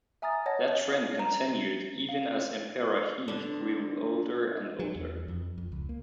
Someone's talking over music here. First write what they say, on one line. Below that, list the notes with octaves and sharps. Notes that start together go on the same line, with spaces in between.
That trend continued even as Emperor He grew older and older.
E5 G#5 A#5 D#6 F6 A6
C#5 D#5 F#5 A5 A#6
A#5
F5
D3 B3 D4
F#3
E2
F2
F2
C#2
A#3